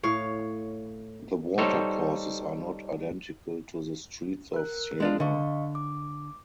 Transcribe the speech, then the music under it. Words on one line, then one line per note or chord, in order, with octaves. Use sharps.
The watercourses are not identical to the streets of Siena.
A2 C#5 F5
G3 D#4 A4 C5 C#5
A#4 F#6
G#3 D4 F4
D3 D#5 F5 C#6
D6